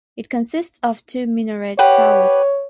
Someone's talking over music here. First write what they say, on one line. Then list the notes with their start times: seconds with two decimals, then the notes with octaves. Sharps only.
It consists of two minaret towers.
1.79 G4 B4 C#5 F#5